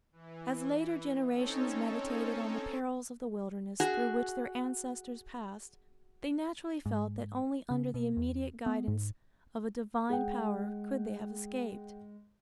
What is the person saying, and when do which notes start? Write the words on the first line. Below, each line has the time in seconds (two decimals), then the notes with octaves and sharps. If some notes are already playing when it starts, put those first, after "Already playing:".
As later generations meditated on the perils of the wilderness through which their ancestors passed, they naturally felt that only under the immediate guidance of a divine power could they have escaped.
0.12 E3
1.32 C4 C#4 D#4 A4 C#5
3.80 F#4 G#4
6.86 G#2
7.70 C#3
7.94 B2
8.17 E2
8.66 B3
8.88 G#2
10.10 G#3 G#4 F#5 G5